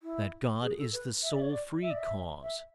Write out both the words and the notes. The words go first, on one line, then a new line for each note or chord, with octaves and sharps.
That God is the sole free cause.
E4
G#4
A4
B4
E5
D5
C#5
D5
E5
D5
E5
E5